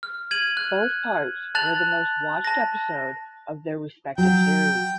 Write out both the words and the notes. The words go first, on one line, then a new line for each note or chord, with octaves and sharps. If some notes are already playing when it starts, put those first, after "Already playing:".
Both parts were the most watched episode of their respective series.
F6
G#6 D#7 F#7
F#6
A5 F#6 A6 F7 F#7
A5 A#6
F#3 G5